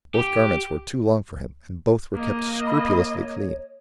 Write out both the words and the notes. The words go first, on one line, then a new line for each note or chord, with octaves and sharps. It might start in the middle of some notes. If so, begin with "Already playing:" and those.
Both garments were too long for him, and both were kept scrupulously clean.
G4
A#3 D#5
B5
C#5